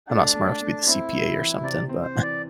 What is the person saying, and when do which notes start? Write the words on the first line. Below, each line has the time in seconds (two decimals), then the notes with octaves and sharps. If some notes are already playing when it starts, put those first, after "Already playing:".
I'm not smart enough to be the CPA or something, but
0.09 A3 D4
0.35 A3
0.61 A3
0.87 C4 E4
1.13 C4
1.38 E3
1.63 C3 D5
1.89 C4
2.02 C5
2.15 E3
2.22 D5